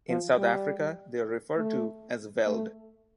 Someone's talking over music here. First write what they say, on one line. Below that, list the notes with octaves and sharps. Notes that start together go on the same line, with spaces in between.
In South Africa they are referred to as veld.
F3
G3
A3
A3